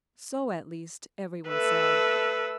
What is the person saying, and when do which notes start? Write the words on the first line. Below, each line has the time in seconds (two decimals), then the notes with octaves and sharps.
So, at least, every one said.
1.49 A3 A4 B4 E6